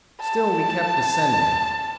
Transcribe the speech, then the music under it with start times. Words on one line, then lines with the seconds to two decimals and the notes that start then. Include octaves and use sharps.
Still we kept descending.
0.22 A5